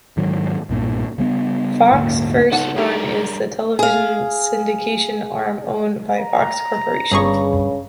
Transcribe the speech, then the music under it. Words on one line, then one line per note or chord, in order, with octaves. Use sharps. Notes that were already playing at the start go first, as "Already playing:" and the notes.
Fox First Run is the television syndication arm owned by Fox Corporation.
G#2 D#3 F#3
B1 G2 A#2
C#3 G3 B3
D#1 G#2 D3 A#3
C#2 B3 D#4 A4 F#5
G3 D4 D#4 G4 G#4 A#4
G#4 F5
A#5
G1 G2 C#3 G#4 C#6